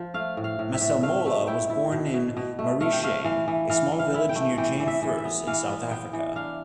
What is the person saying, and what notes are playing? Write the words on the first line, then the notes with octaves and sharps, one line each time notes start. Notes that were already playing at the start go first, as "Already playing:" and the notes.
Masemola was born in Marishane, a small village near Jane Furse, in South Africa.
Already playing: F3
A3 F5
A2
F5
A2
E5
A2
A3 F5
A3
E4 G5
E4
B2
B2
B2
A3
A3 F5
G5
A3 F5
E3 F5
E3
E3 F5
E3
F5
E4
G5
A3
E3 G5
E3
E5
E3
E5
B3
E3 F5
B3
B3 G5
E3
D4 F5